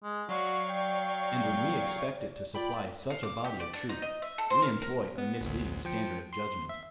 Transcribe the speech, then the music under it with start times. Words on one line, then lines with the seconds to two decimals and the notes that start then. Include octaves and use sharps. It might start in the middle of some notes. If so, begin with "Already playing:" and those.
And when we expect it to supply such a body of truth we employ a misleading standard of judgment.
0.03 G#3
0.29 F#3 F#4 D5 F5 C#6
0.70 G5
2.55 F4 D5 G5 B5
3.10 F5
3.23 D6
3.44 G4
3.60 D5
3.74 D4
3.89 D#4
4.02 D#5
4.22 E5
4.38 A4
4.50 C5
4.62 A#4
4.82 A#4
5.18 B3
5.41 A1 D2
5.85 F3 G5 C#7
6.33 C6
6.69 E5